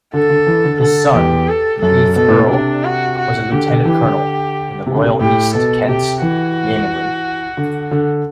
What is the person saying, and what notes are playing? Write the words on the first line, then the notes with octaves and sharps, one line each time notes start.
His son, the eighth Earl, was a Lieutenant-Colonel in the Royal East Kent Yeomanry.
D3 A4
D3
E3
D3
D3 A4
E2 G4
A4
F#2 A4
B2 A4
A2
B2
C3 D4
F#4
F#4
D3 G4
D3
E3 G4
D3
C3
D3
C3
A2 G4
B2 A4
C3 G4
E3 F#4
D3
D3